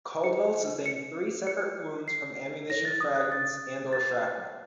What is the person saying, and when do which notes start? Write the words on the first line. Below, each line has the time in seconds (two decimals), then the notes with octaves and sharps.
Caldwell sustained three separate wounds from ammunition fragments and or shrapnel.
0.24 D#4 A4 C5 C#7
0.86 C#7
1.47 C#7
2.08 C7
2.69 D#4 A4 C#5 A#6
2.85 A6
3.01 D#6
3.16 F#6
3.32 A6
3.93 A6